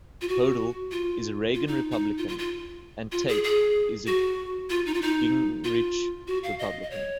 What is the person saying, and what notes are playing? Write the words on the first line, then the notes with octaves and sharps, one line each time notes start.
Hodel is a Reagan Republican and Tate is a Gingrich Republican.
F4
F#4
F4
F4
D#4
D#4
F4
F4
F4
F4
G#4
G#4
F#4
F4
D#4
F4
D#4
F4
F#4
F5
D#5
D#5
C#5